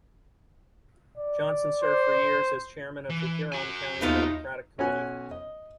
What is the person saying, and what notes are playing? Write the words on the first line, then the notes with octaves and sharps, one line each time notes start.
Johnson served for years as chairman of the Huron County Democratic Committee.
D5
C5
E3
F#4 G#5
D#2 A3 B3 D#4 F4
B1 C#4 F#4 C#5 G#5 F#6
D#5